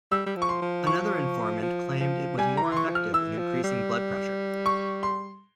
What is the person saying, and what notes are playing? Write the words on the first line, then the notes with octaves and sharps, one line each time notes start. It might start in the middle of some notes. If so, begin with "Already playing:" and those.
Another informant claimed it was more effective in increasing blood pressure.
G3 E6
G3
F3
C#6
C6
F3
C#6
F3
F3
G3 G#5
A#5
E3
C6
C#6
F3
F6
E3 E6
F3
G3
C#6
C6